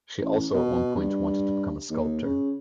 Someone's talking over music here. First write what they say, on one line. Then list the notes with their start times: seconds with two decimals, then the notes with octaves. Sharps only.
She also at one point wanted to become a sculptor.
0.20 A1
0.54 B2
0.96 G2
1.90 D#2
2.23 C#3